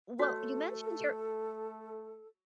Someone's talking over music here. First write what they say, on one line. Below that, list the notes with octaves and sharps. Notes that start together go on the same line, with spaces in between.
Well, you mentioned your
A3 F#4 A4 C#5